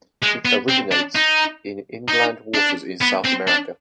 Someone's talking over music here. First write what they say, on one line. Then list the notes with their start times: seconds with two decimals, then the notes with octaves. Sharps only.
It originates in inland waters in South America.
0.22 G#3
0.45 B3
0.69 C4
0.92 D4
1.15 D#4
2.08 D#4
2.54 D4
3.01 B3
3.24 C4
3.47 D4